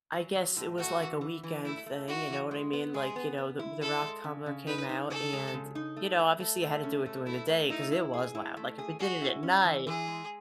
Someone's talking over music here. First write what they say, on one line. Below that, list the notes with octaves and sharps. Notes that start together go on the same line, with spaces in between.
I guess it was, like, a weekend thing, you know what I mean, like, you know, the the rock tumbler came out and you know, obviously you had to do it during the day 'cause it was loud, like, if it did it at night
F#3
F#3
A2
A3 F#4
E3
E3
E3
A3 E4
A3
E4 F#4
E3
G#3
B3
G#3 G#4
B3
B3
E4
E4 A4
G#3
C#3
C#3
D#4 B4
D#4
C#3 A4
G#3
C#3
D#4
A3
A3
A3
A3
C#4
A3
A3 E4
A3
D#4 E4
E4
G#4
E4
A3
G#4
F#4 G#4
E4
C#4
E3
E3 G#4
G#3